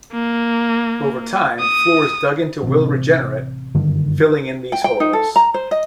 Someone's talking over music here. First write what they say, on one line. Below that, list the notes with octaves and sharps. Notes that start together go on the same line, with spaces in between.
Over time, floors dug into will regenerate, filling in these holes.
A#3
D#6
A1 C3
F#1 G2 D3 D#3
G5
G5
D#4
A4
A#5
C5
D#5